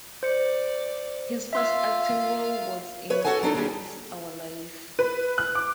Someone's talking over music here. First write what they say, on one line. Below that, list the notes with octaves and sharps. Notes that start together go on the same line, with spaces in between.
His first acting role was in "In This Our Life".
C5 D5 C#7
F4 E5 F5 C6 E6
B4 C#5
F#4 G#4 A4 C#5 F#5 G#5
F#3 D4 D#4 A4
D#2 G3 D4 G4 G#4
B4
F#6
D6